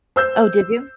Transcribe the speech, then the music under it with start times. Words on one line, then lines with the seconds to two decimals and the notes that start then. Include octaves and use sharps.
Oh, did you?
0.16 C5 E6 G6